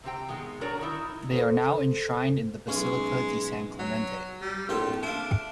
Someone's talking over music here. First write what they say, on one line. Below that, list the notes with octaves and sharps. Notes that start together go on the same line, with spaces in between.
They are now enshrined in the Basilica di San Clemente.
C3 C4 G4 G5
B2 D#3 G#3
D4 F#4 A#4 C#5 D5 A#5
D#3 D#4 E4
A4 C5
B1 G#3 C#4
F#3
G3
A#1 A2 C4 G5
D4 E5 F5